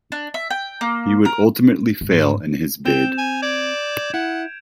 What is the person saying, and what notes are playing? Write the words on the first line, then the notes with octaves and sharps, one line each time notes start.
He would ultimately fail in his bid.
D4
E5
G5
A#3
A#4
G#2
C4 G5 G6 E7 F7
G#5
D5 G#6 D7
E4 F#5